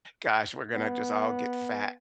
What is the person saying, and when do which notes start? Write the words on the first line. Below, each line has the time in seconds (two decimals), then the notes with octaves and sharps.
Gosh, we're gonna just all get fat.
0.75 B3